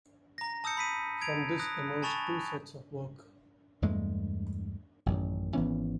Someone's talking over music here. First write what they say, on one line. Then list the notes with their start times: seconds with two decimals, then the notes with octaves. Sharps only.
From this emerged two sets of work.
0.38 A#5 A#6
0.64 A5 D#6 E6 G6 C#7
0.77 B5 B6 D#7
1.21 G#6 D7 F7
1.59 D#6 F#6 A#6
2.02 G#5 A5 B5 C#6 A6 F7
3.82 E2 G2 G#3 A3
5.06 A1 F#2 D#3
5.54 G#1 E3 B3 C#4